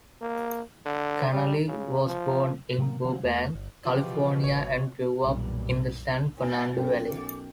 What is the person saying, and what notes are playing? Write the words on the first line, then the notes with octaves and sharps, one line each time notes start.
Kanaly was born in Burbank, California and grew up in the San Fernando Valley.
A#3
D3
G3
C#3
F3
A2 D#3 F#3 A#3
D3 F3 C4 C#4
E2 A3
G1
B2 E3 F3 F4 G4
G#1 C#5
B1 F#2 A#2 E3 G3
B1 C#4 A4 A#4 G5